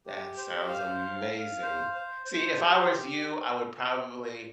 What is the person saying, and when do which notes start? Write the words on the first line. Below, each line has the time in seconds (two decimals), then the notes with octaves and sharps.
That sounds amazing. See, if I was you, I would probably
0.06 G4
0.37 C5
0.68 F5
1.00 F5
1.32 F5
1.62 C5
1.94 C5
2.26 C5
2.57 G4